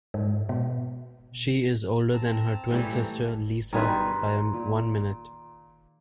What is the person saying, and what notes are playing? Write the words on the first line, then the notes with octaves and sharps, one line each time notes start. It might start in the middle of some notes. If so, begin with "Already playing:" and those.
She is older than her twin sister, Lisa, by one minute.
G#2
B2
C4 A5 A#5
A2 E3 G3 A3
G2 B2 D#3 G3 G#4 B4 A#5 C6
A#2